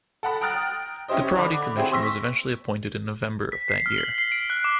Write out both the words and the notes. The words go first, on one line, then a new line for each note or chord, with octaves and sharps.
The Prodi Commission was eventually appointed in November of that year.
A4 F#5 B5
G5 A#5 D#6 F6 F#6 A6
C#4 E4 G4 C5 D#5
D3 B5 D6
C4 E4 G4 G#4 C5
C6 C#6 E6 A#6 B6
B6
C7
F6
F#7
C7
D7
F#6
D6